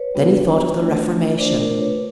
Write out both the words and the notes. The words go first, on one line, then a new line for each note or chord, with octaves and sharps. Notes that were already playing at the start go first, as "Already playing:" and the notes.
Then he thought of the reformation.
Already playing: B4 C#5
G3 B3 D4 F#4
A3 D4 F4
A3 D4 F4 C5 D5
A#4 C5
B4 C#5